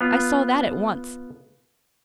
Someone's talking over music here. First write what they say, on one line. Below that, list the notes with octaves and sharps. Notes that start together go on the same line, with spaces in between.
I saw that at once.
B3 F4